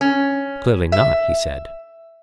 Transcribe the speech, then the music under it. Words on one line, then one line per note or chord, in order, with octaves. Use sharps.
Clearly not, he said.
C#4
E5